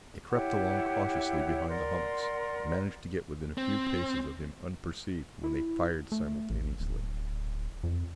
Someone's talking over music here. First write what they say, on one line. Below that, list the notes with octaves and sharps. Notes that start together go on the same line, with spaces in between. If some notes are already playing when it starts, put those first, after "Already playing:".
They crept along cautiously behind the hummocks, and managed to get within a few paces of him unperceived, when they fired simultaneously.
E4 G4 C#5 F#5
A#4 D5 F#5 C6
C4
E4
A3
A1
D1
F2